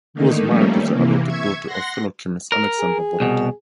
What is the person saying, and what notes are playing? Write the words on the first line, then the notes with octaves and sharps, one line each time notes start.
He was married to the adopted daughter of fellow chemist Alexander Borodin.
D3 D#3 A3 A#3 D#4
D#3 F3 G3 A3 A#3 C#4
C3 E3 A#3
E5 C#6 G#6
F#5 C6 A#6
A#4
G#4
C2 B2